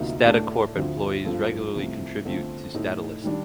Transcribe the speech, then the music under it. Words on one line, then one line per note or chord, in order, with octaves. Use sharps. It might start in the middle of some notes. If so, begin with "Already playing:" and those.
StataCorp employees regularly contribute to Statalist.
Already playing: D2 C3 F3 A#3 D#4
A2 A3 D4 A4
D2 D3 F3 C4
G2 F3 C4 F4 A4
C2 C3 F3 A3 C4
D3 A3 C4 F4
A2 A3 D#4 A4
D#3 G3 D4